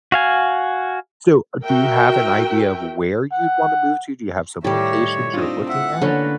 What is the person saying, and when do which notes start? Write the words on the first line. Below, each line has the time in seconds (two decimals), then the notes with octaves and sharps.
So, do you have an idea of where you'd wanna move to? Do you have some locations you're looking at?
0.12 F#4 F5 G#5
1.65 F#4 A#4 E5 G5
3.32 F#5
4.64 A2 D#3 G3 G4 C#5 E5
5.34 C4 D4 D#4 F4 D#5
5.69 E5 F#5
6.02 D3 A#3 C#4 A4 B4 C#5